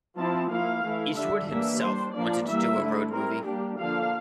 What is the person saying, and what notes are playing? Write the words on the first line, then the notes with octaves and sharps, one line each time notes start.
Eastwood himself wanted to do a road movie.
F3 C4 E4 A5
F3 A#3 E4 F5
E3 A3 E4
D3 G3 D4 E5
E3 G3 A#3 D4 E5
G3 D4 C5
F3 A#3 D4 D5
E3 G3 A#3 E5
D3 A3 E4
G3 C4 E4 A#4
G3 A#3 D4 G4
D3 F3 A#3 D4 F5